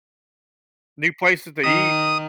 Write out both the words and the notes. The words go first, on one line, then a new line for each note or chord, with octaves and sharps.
New places to eat,
D#3 D#6